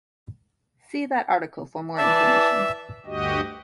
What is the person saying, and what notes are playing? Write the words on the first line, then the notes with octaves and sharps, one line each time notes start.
See that article for more information.
E3 D5 E5 A5
D2 G2 F#4 G4 D#5